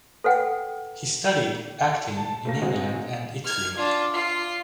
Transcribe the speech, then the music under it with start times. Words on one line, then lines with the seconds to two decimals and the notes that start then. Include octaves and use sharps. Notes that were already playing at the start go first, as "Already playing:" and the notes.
He studied acting in England and Italy.
0.24 A4 B4 F#5 G5
2.17 A5
2.45 A3 A#3 A#6
2.62 F#3 G#3 C4 F#4 G#4 D#5
3.44 F6 G#6
3.76 D4 F4
4.13 F4 C7